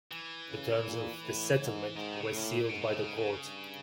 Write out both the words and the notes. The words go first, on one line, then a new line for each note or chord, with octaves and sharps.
The terms of the settlement were sealed by the court.
E3
C#3
A#2
A2
G#2
G#2 D#3
C#3
A2
A#2
G#2 B2
C#3
C#3
G2